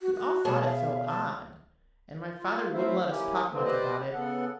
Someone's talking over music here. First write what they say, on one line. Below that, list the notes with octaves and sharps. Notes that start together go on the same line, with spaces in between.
We all thought it so odd: and my father wouldn't let us talk much about it.
F#4
F#4
B2 G#4 C#5 A5
E5 F5
A5
F4
A3 C4 E4 C5 E5 F5
A#3 C#4 E4 G4
D3 E3 A#3 C4
G4 B4 C5 D5 D#5
C#3 B3 A4 F#5